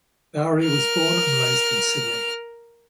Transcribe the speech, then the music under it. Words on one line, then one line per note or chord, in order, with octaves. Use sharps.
Bowrey was born and raised in Sydney.
A#4 F6